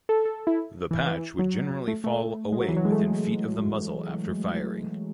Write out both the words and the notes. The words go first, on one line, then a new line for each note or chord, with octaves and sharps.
The patch would generally fall away within feet of the muzzle after firing.
A4
A4
E4
E3
E3
F#3
A3
A3
G#3
F#3
E3
F#3
G#3
A3
G#3